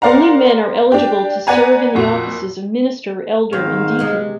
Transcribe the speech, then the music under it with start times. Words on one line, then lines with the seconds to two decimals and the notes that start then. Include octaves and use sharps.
Only men are eligible to serve in the offices of minister, elder, and deacon.
0.02 A#4 C5 D5 F5 F#5 A#5
0.92 D4 G4
1.47 B4 D5 F#5 G#5 A#5
1.95 F2 A#2 F#4
3.53 G#2 D#3 B3 C4 C#5 F5
3.99 C3 G#3 B3